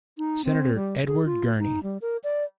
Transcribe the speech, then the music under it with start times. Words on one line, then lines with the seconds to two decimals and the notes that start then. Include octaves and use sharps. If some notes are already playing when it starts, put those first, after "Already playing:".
Senator Edward Gurney.
0.18 D#4
0.45 C4
0.75 G3
1.07 G#4
1.25 F4
1.59 D#4
1.83 G3
2.02 A#4
2.24 D5